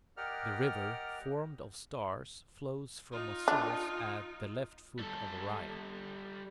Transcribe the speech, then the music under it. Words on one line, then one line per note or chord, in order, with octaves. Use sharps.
The River, formed of stars, flows from a source at the left foot of Orion.
G4 A#4 D5 D#5 F#5 F6
D#4 F4
D4
G3 A4